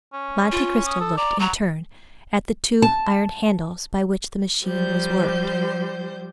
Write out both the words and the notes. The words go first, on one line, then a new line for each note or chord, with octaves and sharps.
Monte Cristo looked in turn at the two iron handles by which the machine was worked.
C#4
F4
D#6
A4
D5 A#5
F#3 A#5
A5
F3 G3 C5 G6